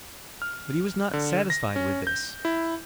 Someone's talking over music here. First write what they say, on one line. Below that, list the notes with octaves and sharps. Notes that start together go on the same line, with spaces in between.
But he was not satisfied with this.
F6
D3
A#6
C#4
G6
E4